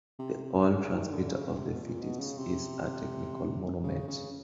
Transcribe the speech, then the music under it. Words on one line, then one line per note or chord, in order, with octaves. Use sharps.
The old transmitter of the fifties is a technical monument.
C3
C3
C#3
D#3
D3
C#3
C3
B2
A#2
B2
C#3
C3
C#3
C#3